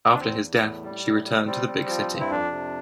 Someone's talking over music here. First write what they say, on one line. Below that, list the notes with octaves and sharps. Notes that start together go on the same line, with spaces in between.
After his death, she returned to the big city.
D4
E2 C4
E2
A2
G3
A2
G3
G3 C4
G3
F3
G2
E4
F2 D4
C3